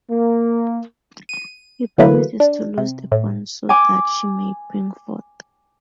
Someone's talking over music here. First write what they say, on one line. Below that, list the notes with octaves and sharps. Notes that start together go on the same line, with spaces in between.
He promises to loose the bond so that she may bring forth.
A#3
D#7
D3 E3 F#3 A3 A#3 B4
D4
C3
A2
G#5 D6